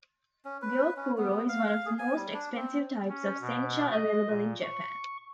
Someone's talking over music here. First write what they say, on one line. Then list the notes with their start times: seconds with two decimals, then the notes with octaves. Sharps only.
Gyokuro is one of the most expensive types of sencha available in Japan.
0.45 C#4
0.62 B4
0.96 C#4
1.18 B3
1.49 F5
1.67 F5
1.85 G#4
1.99 G#5
2.16 G3
2.34 D4
2.56 C4
3.09 C#4
3.41 B2
3.92 D#5
4.29 A#2
4.63 C#6